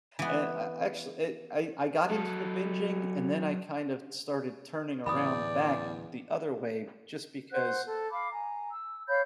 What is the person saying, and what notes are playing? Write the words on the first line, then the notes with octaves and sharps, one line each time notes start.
And I I actually, it I I got into the binging, and then I kind of started turning around back the other way just because
E3 B3
F#3 A4
D1 E2 A2 E3 D5 B5 D#6
C5 F#5 F#6 G6
A4
F5 B5 D6
G#5 A#5
E6
C#5 F5 B5 G6